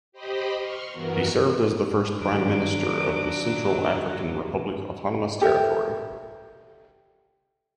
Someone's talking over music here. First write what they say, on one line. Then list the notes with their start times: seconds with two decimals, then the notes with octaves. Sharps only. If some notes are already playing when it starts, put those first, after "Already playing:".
He served as the first Prime Minister of the Central African Republic autonomous territory.
0.12 G4 C5 D#5 B5
0.57 C6 C#6 F6
0.91 G2 E3 B3 F#4 A#4
2.21 F#2 D#3 F#3 D4 D7
5.41 G4 A4 A#4 E5